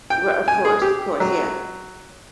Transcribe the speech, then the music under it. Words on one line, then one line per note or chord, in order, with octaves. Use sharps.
Ri of course, of course, yeah.
G5
G#5
G#4
G4
F#3